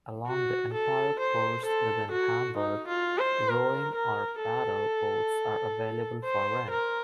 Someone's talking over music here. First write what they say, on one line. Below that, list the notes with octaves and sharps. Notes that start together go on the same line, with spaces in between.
Along the entire course within Hamburg, rowing or paddle boats are available for rent.
F#4
A4
C5
A4
F#4
D#4
F4
C5
A#4
A#4
A4
C5
A#4